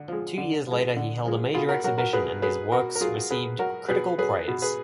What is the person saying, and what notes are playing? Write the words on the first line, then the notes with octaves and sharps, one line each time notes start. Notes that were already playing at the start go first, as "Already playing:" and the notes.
Two years later, he held a major exhibition and his works received critical praise.
Already playing: D3
F3 G#3
D3
F3 G#3
D3
F3 G#3
B2 F4 G#4
F#4 A#4
F#3 F#4 A#4
F#4 A#4
B2 G#4 B4
F#3 G#4 B4
B2 F#4 A#4
A#4
F#3 F4 G#4
B2 G#4 B4
F#3 F#4 A#4
B2 G#4 B4
F#3 G#4 B4
B2
G#4 B4